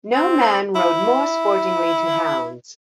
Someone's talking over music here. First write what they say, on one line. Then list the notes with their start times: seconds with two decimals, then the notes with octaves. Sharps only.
No man rode more sportingly to hounds.
0.14 C4
0.75 E4